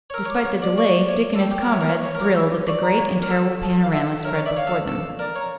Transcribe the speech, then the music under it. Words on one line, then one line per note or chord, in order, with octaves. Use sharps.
Despite the delay, Dick and his comrades, thrilled at the great and terrible panorama spread before them.
C#5
A#4 E6
C#5 D6
A#4
C#5
D5
D5 C#6
C#5
A4
G4 A5
G4
G5
A#4
C#5 E5
A#4
C#5 F5
C#5 C#6
A#4
D6
C#5
E6
D6
D5 C#6
A#5
C#5
A#4
A4
A5
F5
A4 E5
A#4 C#5
C#5 D5
D5 E5
C#5 F5
A4
A4
A#4 D5
C#5 A#5